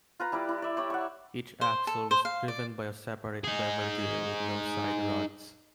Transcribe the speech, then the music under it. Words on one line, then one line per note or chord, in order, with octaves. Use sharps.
Each axle was driven by a separate bevel gear, with no side rods.
F4 B4 A#5
G3 E4 D5
E4
D5 E5
G4 C#5 D5
F#5 C#6
C5
A4
C5
F5
D5
D#4 G#4